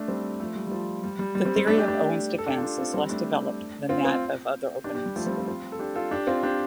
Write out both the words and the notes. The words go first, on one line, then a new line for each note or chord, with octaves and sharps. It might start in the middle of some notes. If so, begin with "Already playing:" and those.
The theory of Owen's Defence is less developed than that of other openings.
Already playing: A3 D4
G3 C4
F3 A3
G3
G3
F3
G3
G3
G3
G3 C4
G3 C4
A3 D4
D4 G4
D4 G4
A4
D4 G4
F4
D4 G4
C4 F4
G3 C4
A3 D4
C4 F4
C4 F4
D4 G4
D4 G4
G3
F3 A3
G3 C4
C4 F4
C4 F4
A4
D4 G4
F4 A4
D4 G4
C4 F4
D4 G4